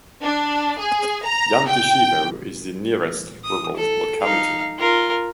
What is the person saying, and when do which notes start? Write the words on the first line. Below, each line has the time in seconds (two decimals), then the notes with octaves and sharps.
Yantyshevo is the nearest rural locality.
0.22 D4
0.79 G#4
1.23 A#5
1.67 G5
3.44 D#6
3.77 A4
4.22 D#4 F5
4.79 F4 A#4